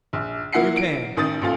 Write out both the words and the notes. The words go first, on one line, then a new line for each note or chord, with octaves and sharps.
You came.
A#1
F3 A#3 E4 F#5 C7 C#7
D7
A1 D#3 D#6 A6
A1 A#2 A4 F5 A6